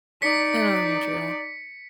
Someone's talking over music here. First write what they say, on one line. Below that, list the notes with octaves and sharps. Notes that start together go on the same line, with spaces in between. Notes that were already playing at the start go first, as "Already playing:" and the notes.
I don't like country at all.
D#4 D5 B6 C#7